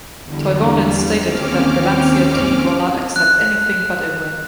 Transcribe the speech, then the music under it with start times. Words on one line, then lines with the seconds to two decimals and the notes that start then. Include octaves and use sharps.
Toivonen stated that the Lancia team will not accept anything but a win.
0.23 E2 D3 G3
1.21 D#2 C4 C#4 D6 F6
3.16 F#6